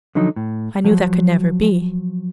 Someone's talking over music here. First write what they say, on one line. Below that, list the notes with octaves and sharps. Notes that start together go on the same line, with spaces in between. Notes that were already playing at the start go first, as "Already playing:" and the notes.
I knew that could never be.
D3 F3 F#3 D#4
A2
F3 F#3